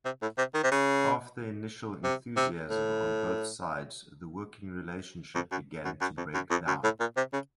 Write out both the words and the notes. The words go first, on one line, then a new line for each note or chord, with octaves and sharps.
After initial enthusiasm on both sides the working relationship began to break down.
C3
A2
C3
D#3
C3
C#3
C3
C3
A2
F2
F#2
F#2
F#2
F2
F#2
F2
F#2
A2
A#2
C3
C#3